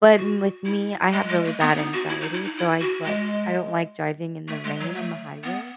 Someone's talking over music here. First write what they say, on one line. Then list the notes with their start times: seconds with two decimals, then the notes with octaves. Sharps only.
but m with me, I have really bad anxiety, so, I'd like, I don't like driving in the rain on the highway.
0.18 F#4
0.65 E4
1.13 G#3
1.29 G#3
1.45 A3
1.61 B3
1.77 D#4
1.94 F#4
2.09 E4
2.21 D#4
2.33 E4
2.44 D#4
2.57 E4
2.81 F#4
3.05 G#3
4.48 A3
4.64 G#3
4.80 F#3
4.95 A3
5.44 B3